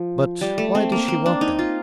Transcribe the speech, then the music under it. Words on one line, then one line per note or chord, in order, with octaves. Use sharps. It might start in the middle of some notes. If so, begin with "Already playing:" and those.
"But why does she want them?"
Already playing: F3
G3
A3
C4
A#3
C4
D4
D#4
F4